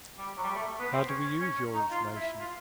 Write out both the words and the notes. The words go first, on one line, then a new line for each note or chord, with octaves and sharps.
How do we use your information?
G3
F#3
G3
A3
B3
C4
C#4
C#4
C#4
D#4
F4
E4
F4